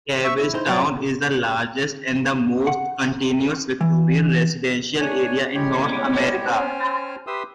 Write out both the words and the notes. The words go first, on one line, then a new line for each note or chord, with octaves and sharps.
Cabbagetown is the largest and most continuous Victorian residential area in North America.
E5 C#6 E6
E4
D#4 C5
F#3 A#3 F4 C#5 D5 G5
F#5
E3
A3 D4 C#5 G#5
A2 G3 G#3 G4 C#5 G5
C#4 C5 G5 G#5 F6
G4 B4 E5 C6 D#6 E6